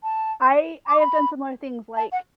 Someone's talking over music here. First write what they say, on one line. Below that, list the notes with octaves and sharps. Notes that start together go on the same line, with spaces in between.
I I have done similar things like,
A5
D6
B5
A5
F#5